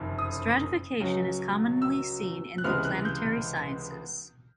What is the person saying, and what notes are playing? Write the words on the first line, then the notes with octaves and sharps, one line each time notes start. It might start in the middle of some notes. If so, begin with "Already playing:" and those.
Stratification is commonly seen in the planetary sciences.
Already playing: F#1 F2 C3 D#3
D#6
C#2 C#3 F#3
E6
F#6
C#2 C3 E3 G#3 B3 F6
F#6
G6